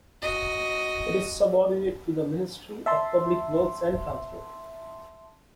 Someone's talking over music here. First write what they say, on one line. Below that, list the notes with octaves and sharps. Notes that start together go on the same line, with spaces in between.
It is subordinate to the Ministry of Public Works and Transport.
F#4 D#5
E5 A5 C6